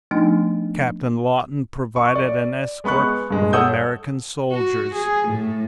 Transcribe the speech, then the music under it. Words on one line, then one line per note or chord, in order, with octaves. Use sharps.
Captain Lawton provided an escort of American soldiers.
F3 A3 B3 D4 D#4
C#6
D5
G#3 B3 B5 C#6 F#6
G2 G#3
A4 C#5 F#5 D#6 E6 G6
F#4
G#4
A2 A3